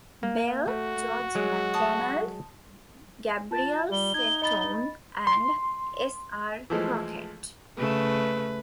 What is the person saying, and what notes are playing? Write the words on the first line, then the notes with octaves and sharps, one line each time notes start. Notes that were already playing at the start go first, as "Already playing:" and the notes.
Bell, George MacDonald, Gabriel Setoun, and S. R. Crockett.
A#3
A3 F#4
F#3 G#3
A5 D#6
F4 A5
G3 G7
D#4 G#6
D#5 B5 A6
C6
E3 F3 G#3 A3
C#3 A3 B4